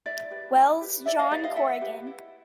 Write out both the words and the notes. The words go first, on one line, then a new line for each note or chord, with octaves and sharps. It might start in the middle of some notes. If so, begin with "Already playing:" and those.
Wells, John Corrigan.
E4 D5 E5
G4 B4
E4
G4 B4
E4 D5 E5
D#5 F5
G4 B4 D5 E5
D#5 F5
E4 E5 F#5
G4 B4
E4